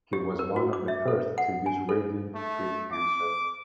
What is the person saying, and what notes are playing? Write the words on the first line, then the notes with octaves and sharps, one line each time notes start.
He was one of the first to use radium to treat cancer.
G4
A#4
F#4
D6
E5
A4
F#5
G#5
A4
A3
D6